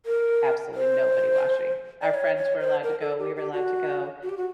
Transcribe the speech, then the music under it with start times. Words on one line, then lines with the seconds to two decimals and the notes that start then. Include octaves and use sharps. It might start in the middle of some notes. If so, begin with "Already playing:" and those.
absolutely nobody watching. Our friends were allowed to go, we were allowed to go.
0.06 A#4
0.75 C5
2.02 D5
2.14 C#5
2.37 C#5
2.60 C5
2.84 A#4
3.01 A4
3.19 G4
3.36 G4
3.53 F#4
4.23 F#4
4.29 G4
4.37 F#4